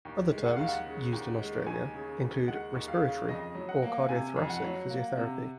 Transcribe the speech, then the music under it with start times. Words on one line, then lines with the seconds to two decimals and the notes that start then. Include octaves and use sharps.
Other terms, used in Australia, include respiratory or cardiothoracic physiotherapy.
0.05 D#2
0.32 G#3
0.46 F#5
0.56 D#2 F5
0.67 F#5
0.86 C#3
1.13 D#2
1.40 G#3
1.66 D#2 G#5
1.94 C#3
2.20 D#2
2.47 G#3 F#5
2.75 D#2
2.88 F5
3.02 C#3
3.28 F2 D#5
3.55 F#3
3.69 F#5
3.82 A#3
4.09 C3 G#5
4.36 F2
4.49 F#5
4.63 F#3
4.90 A#3
5.17 C3